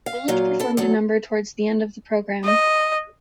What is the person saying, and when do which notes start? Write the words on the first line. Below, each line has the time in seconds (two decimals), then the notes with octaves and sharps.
Holland performed a number towards the end of the programme.
0.06 F5
0.28 A#2 F#3 F4
0.60 E4 A4
0.77 E2 F#3 A4
2.44 D#5